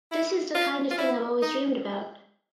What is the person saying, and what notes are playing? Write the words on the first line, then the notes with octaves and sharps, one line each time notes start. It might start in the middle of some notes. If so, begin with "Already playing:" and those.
This is the kind of thing I’ve always dreamed about.
E4
F4
F4
E4
D#4